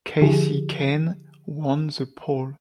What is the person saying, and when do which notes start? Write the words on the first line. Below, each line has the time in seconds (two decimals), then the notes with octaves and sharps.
Kasey Kahne won the pole.
0.21 D3 F3 E4 G4 G#4